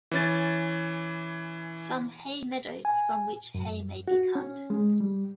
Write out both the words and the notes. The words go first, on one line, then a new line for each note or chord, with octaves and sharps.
Some Hay meadow from which Hay may be cut.
E3 C#4 A6
G#5
F#2
F#4
C#4
G#3
G3